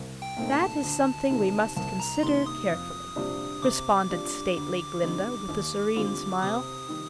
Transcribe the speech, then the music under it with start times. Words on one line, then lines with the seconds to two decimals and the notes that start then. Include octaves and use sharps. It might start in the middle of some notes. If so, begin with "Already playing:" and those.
"That is something we must consider carefully," responded stately Glinda, with a serene smile.
Already playing: C2
0.22 G5
0.37 A#2 A3 C4 D#4
0.52 A5
0.83 D2
1.30 C3 D#3
1.76 C2 A5
2.00 A#5
2.23 C3 D#3 A#3 D#4 C6
2.46 D#6
2.70 F2
3.16 C3 G3 D4 F4
3.62 C3 D6
4.10 G3 D4 F4
4.56 D2
5.03 D3 G3 C4 D#4
5.49 D#2
5.96 D3 G3 C4 F4
6.42 C3 D#6
6.89 D#3 G3